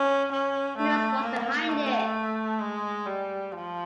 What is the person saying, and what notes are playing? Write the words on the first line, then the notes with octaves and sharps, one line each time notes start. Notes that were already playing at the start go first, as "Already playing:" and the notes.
Who knows what's behind it.
Already playing: C#4
C#4
A3
A#3
A3
G#3
G3
F3